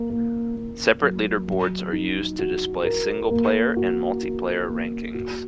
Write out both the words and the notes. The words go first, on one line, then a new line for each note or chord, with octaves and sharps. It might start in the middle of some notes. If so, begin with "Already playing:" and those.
Separate leaderboards are used to display single player and multiplayer rankings.
Already playing: A#3
A#3
A#3
F#3
F#3
D#4
F#4
A#4
A#3
F#4
F#4
A#3
F#4